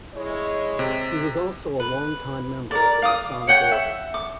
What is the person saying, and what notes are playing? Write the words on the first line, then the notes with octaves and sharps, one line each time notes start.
He was also a long-time member of the Masonic Order.
G#3 E4 C#5
C3
B4
A#4 D5
F5 D6 D#6
C#5 F#5 G5
E5
D6